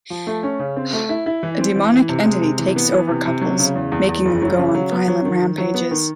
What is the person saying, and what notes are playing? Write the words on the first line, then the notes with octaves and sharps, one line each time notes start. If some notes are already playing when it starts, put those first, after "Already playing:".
A demonic entity takes over couples, making them go on violent rampages.
F3
A3
C#4
C#3
C4
A3
E4
E4
E3
C4
E3
E3
C3
G#3
C3
E3
B3
E3
C3
C3
F#3
C#3
E2
E2
E2
F#1
F#3
C#3
F#3
B3
F#3
D#3
D#3
F#3
B3
D#3